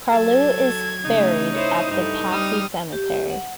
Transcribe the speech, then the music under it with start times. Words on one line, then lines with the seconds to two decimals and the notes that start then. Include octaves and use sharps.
Carlu is buried at the Passy Cemetery.
0.12 F#3 A4 G#6
1.05 C#3 A3 D#4
1.53 E4 C5 C#5 D#6
1.91 G2 A3 D#4 E4
2.27 G3 D#6 F6
2.92 G4
3.30 F#5